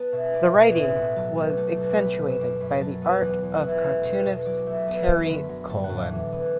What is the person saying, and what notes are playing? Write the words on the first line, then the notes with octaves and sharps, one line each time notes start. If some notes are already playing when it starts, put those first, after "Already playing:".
The writing was accentuated by the art of cartoonist Terry Colon.
Already playing: B3 A5
B2 E5
B3 D5
B2
A2 E5
A2 F#5
F#3 A5
B3
A3 A5
B2
A3 B5
B2
E6
F#2 D6
F#2 B5
F#3 A5
B3
E2 F#5
E2
F#5
B2 E5
A3
B2
B2
F#3 D5
A3 E5
B3 A5
F#2
D3 B5
F#3
A2 A5
F#5
A2
D5
E3
B3